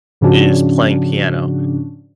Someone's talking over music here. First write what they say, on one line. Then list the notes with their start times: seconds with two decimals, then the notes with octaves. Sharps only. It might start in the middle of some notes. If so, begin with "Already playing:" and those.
is playing piano.
0.21 G#2 C#3 F3 C#4 D4 F#4